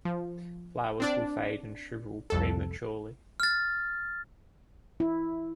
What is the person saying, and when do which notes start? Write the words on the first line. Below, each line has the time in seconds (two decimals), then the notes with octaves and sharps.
Flowers will fade and shrivel prematurely.
0.05 F3
1.00 C4 D4 D5
2.30 C2 F2 A4
3.40 F6 A6
5.00 E4